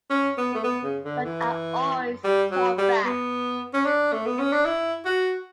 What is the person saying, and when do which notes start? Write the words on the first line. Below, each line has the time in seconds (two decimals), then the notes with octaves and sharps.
But I always fought back.
0.10 C#4
0.38 B3
0.54 A3
0.64 B3
0.84 C#3
1.04 D3
1.24 E3
2.24 G3
2.51 F#3
2.78 G3
3.05 B3
3.74 C#4
3.85 D4
4.13 A3
4.26 B3
4.39 C#4
4.52 D4
4.65 E4
5.05 F#4